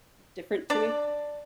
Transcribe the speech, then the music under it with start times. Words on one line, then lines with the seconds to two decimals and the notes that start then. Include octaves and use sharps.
different to me.
0.70 D4 D5